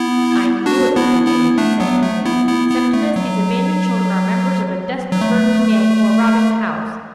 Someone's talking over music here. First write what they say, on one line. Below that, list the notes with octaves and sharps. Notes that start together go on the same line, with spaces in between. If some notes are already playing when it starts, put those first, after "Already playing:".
'I KNEW it was a gang,' said Amelia. 'Septimus, these abandoned children are members of a desperate burgling gang who are robbing the house.
Already playing: B3 E4
D4 F#4
B3 E4
B3 E4
A3 D4
F#3 B3
A3
B3 E4
B3 E4
B3 E4
A3
F#3
F#3
A3